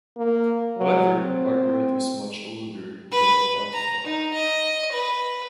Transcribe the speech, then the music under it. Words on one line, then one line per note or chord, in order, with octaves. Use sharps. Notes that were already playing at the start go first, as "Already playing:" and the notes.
However, Margaret was much older than Ottokar.
A#3
F#3
C4
B4
A#5
D#4
D#5
B4